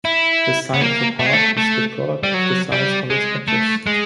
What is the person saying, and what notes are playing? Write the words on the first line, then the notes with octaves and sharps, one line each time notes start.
The sign of a path is the product of the signs of its edges.
E4
B3
A#3
A3
G#3
A3
A3
G3
F#3
G3
G#3
A3
G#3